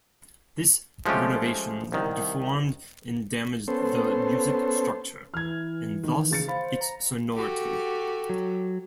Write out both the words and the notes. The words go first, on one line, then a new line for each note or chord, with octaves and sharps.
This renovation deformed and damaged the music structure and thus, its sonority.
F3 G#3 A3 C#4 G4
C2 D#3
B3 C#4 A4 C5
E3 F6 G#6
D#3
C#3 A6 C#7
C5 F5 B5
A#5
F#4 G4 A4
F#3